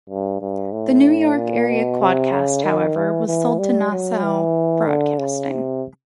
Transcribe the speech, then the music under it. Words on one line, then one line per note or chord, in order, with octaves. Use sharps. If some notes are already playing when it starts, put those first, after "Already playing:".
The New York area quadcast, however, was sold to Nassau Broadcasting.
G2
G2
A2
A#2
B2
C3
C#3
D#3
E3
E3
G3
F#3
E3
D3
C#3
C3